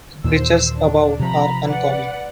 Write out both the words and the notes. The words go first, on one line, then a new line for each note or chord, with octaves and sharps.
Temperatures above are uncommon.
D#2 A#2 C5 E6
D4
C3 F3 A#5 B5
B4 D5 F#5